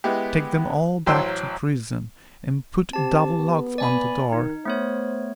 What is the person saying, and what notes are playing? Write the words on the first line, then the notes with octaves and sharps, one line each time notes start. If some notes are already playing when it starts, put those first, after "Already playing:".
Take them all back to prison and put double locks on the door.
G#3 B3 E4 G4
A1 F#3 C5 G5 C6 E6
C4 G4 A5
B3
D5 G#5 B5
D#3 D#4
A3 B3 C5 C#5